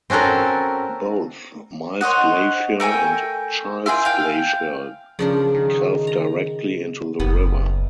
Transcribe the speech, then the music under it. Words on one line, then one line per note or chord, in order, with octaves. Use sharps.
Both Miles Glacier and Childs Glacier calve directly into the river.
C4 C#4 F#4 A4 A#4
C5 C#5 D#5 F#5
A3 A#4 G5 G#5
E4 F4 G#4 G5
F5 G5
C#3 F3 D4 A#4
D#3
A#5
F#1 B3